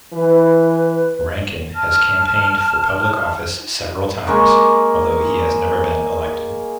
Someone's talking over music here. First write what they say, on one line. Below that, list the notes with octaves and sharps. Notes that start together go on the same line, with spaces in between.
Rankin has campaigned for public office several times, although he has never been elected.
E3 B4
A5 F6
G#3 A#3 C#6 D6